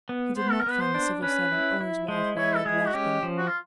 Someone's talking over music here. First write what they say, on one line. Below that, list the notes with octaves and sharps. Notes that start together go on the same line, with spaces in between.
He did not find the civil servant or his wife where he had left them.
B3
B3 C5
A4
A#4
B3 B4
C5
D4
C#4 B4
E4
E4
G#3 C5
E4 C#5
A4
G#3 G#4
F#4
C#4 G4
F3
F#4
F4